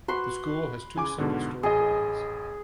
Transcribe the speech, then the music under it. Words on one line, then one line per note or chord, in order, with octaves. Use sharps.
The school has two single storey building.
F#4 B4 C6
C#3 G#5 D6
G#2 B2 D3
A1 G#4 D#5